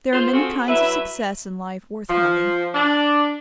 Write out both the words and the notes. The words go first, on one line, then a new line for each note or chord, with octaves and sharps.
There are many kinds of success in life worth having.
F4 G#4 C5
C4 F4 F#4 G#4 A4
F#3 E4 B4 E5
F3
D4